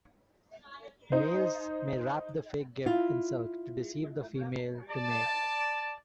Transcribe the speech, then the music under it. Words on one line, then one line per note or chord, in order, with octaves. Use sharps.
Males may wrap the fake gift in silk, to deceive the female to mate.
D#4 C5
E4 F4
D5 A5